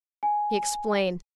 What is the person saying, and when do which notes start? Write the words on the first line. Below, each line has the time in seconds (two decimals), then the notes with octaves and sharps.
He explained.
0.23 G#5